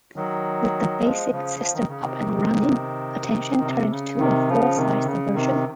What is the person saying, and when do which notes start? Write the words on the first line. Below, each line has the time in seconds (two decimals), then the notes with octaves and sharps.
With the basic system up and running, attention turned to a "full sized" version.
0.16 D#3 F#3
1.01 F3 G#3
1.31 C#3 F3
1.59 F3
1.73 D#3
1.88 C#3
2.01 C3 D#3
3.61 C3
3.91 C#3
4.19 C3 D#3
4.48 C#3 F3
4.76 C3 D#3
5.05 C#3
5.34 C3 D#3